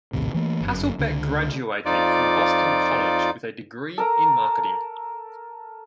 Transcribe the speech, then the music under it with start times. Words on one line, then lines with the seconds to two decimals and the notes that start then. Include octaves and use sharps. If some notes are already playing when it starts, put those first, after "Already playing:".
Hasselbeck graduated from Boston College with a degree in marketing.
0.13 A#1 D#2 A2 C3
0.34 E3 A3 A#3
0.61 G1 F#2
0.99 C#2 D3
1.85 F2 D#4 F4 D5 D6
3.98 A4 A#4 A#5